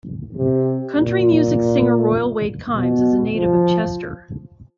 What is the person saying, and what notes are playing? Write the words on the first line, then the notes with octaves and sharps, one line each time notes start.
Country music singer Royal Wade Kimes is a native of Chester.
C3
A#2
B2
F3